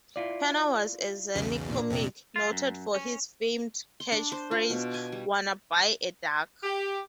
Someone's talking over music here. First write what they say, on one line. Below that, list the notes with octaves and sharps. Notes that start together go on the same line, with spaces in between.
Penner was a zany comic, noted for his famed catchphrase, Wanna buy a duck?
E4 F4 D5
B1 E2 C#3
A#2 D4
F2 C3
F4
F#2
C#4
C6
D4
C5
F4
B2
G#5
G3
G4